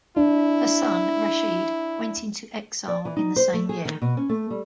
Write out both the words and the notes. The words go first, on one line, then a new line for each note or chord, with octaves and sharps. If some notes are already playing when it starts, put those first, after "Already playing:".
Her son, Rashid, went into exile in the same year.
D4 E4
D5
E3
D#4
C5
A3
G#4
D#3
B2
C#4
A3
G3